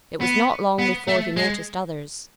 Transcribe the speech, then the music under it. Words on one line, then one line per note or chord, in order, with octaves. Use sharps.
It was not long before he noticed others.
B3
B3
A3
G#3